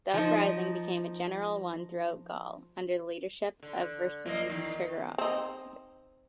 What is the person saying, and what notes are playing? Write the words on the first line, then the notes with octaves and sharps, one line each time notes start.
The uprising became a general one throughout Gaul, under the leadership of Vercingetorix.
F3 D#4
D3
F#2 A#3 D#5
E2 D#3
C4 D#4